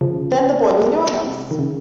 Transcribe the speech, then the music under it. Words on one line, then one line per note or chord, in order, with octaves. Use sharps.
Then the boy was in your house!
C#3 F3
C3
D#3
C#3